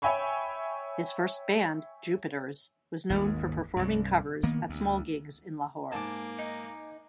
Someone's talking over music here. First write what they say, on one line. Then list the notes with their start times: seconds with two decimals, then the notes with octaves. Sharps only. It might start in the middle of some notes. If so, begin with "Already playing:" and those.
His first band 'Jupiters' was known for performing covers at small gigs in Lahore.
0.02 C#5 E5 G5 G#5 B5 C#6
3.10 G#1 D#2 G#2
3.76 C2 G2
4.43 D#3 A#3 B3
4.69 D2
5.92 G#2 A#3 G#5 A5 D6
6.39 D#4